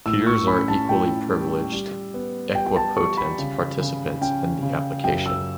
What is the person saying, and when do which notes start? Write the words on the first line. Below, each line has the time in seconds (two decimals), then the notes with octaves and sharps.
Peers are equally privileged, equipotent participants in the application.
0.06 A2 E6
0.27 C#6
0.47 C#4 B5
0.68 A5
0.89 A2 G5
1.30 G3
1.72 G3
2.14 B3
2.55 G3 G5
2.67 G5
2.76 A5
2.96 G3 C#6
3.17 B5
3.39 C#3
3.80 C#3
4.21 C#4 G5
4.63 C#3
5.04 F#2 G5
5.26 E6